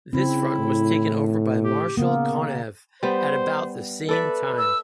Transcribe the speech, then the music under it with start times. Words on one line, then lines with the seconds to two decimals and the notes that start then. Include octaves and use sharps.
This Front was taken over by Marshal Konev at about the same time.
0.13 C#3 C4 E4
0.59 A2
1.63 G4
1.97 C#3 A#3 B3
3.03 G3 B3 C5
4.09 A4 B4 D5 E5
4.58 E6